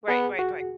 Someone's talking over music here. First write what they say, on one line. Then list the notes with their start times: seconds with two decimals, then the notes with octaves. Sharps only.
Right, right, right.
0.08 B3 G#4
0.39 F#4